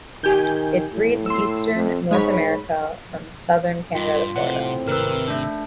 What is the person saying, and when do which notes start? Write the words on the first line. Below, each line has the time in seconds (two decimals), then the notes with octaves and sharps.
It breeds in eastern North America from southern Canada to Florida.
0.24 D#3 G4 G#5 G6
0.93 A2
1.26 C6 E6
1.76 F2
2.11 G#2 G#3 C#5 B5
3.95 G2 F4
4.36 A2 C3 C4 F#5
4.88 G#1 C3 A#4 B4 E6
5.28 A3 D4